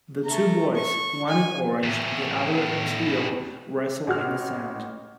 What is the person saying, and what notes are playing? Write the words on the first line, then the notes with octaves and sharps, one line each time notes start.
The two boys, one in orange the other in teal, wrestle in the sand.
A3 A#5
C#6
G#5
E2 A2
A1 F#4 F6